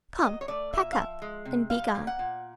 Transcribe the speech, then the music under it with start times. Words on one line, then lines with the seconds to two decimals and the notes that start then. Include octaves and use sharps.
Come! pack up; and begone.
0.23 F#3 D#5
0.41 C#5
0.48 A3 D5
0.73 A#2 E5
0.93 F5
0.97 F3 E5
1.22 G#3
1.45 C3
1.70 G3 F5
1.95 A#3
2.07 F#5
2.19 A#2